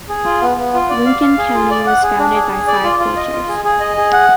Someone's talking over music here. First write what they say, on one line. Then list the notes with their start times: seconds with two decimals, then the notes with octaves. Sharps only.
Lincoln county was founded by five cultures.
0.09 G#4
0.25 F4
0.41 B3
0.57 B3
0.74 F4
0.90 D5
1.06 F5
1.22 F5
1.38 G#4
1.54 F4
1.71 D5
1.86 F#5
2.03 G#4
2.19 D4
2.35 G#4
2.52 G#4
2.67 D5
2.84 F4
3.00 F4
3.16 D#5
3.32 F4
3.48 G#4
3.64 G#4
3.80 D#5
3.97 G#4
4.13 F#5